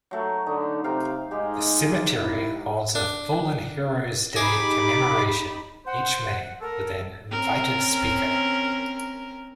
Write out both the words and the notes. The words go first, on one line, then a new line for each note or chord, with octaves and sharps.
The cemetery holds a "Fallen Heroes Day" commemoration each May with an invited speaker.
F#3 A3
D3 D#4
C3 F5 G5 A#5
G#2 G#3 G4
E4
D4
D#4 G4 G#4 B5 D6
C5 F#5
A4 A#4
C4 C#4 A#4